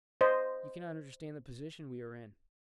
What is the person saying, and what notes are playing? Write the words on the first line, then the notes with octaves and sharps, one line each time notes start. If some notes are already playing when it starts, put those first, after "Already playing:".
You cannot understand the position we are in.
C5 D#5